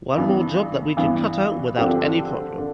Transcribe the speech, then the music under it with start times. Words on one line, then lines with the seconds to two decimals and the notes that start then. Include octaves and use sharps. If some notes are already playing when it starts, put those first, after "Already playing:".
One more job that we could cut out without any problem.
0.17 G2 E3 B3
0.97 G2 E3 B3
1.77 D3 F3 C4 G4
2.58 D3